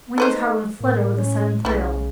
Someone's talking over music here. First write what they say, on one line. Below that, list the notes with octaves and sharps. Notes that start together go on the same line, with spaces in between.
Wendy's heart went flutter with a sudden thrill.
D#4 A4 B4 C5
A2 A#3
C#4
B1 C#3 B3 E4